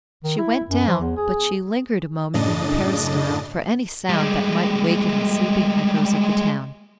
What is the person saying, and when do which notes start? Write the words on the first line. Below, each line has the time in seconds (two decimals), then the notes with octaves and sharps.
She went down, but she lingered a moment in the peristyle for any sound that might waken the sleeping echoes of the town.
0.24 D#3
0.38 E4
0.70 F#2
0.87 F3
1.00 E2
1.17 G#4
2.34 F#2 A2 C#3 D4 D#5 A6
4.10 G3 G#3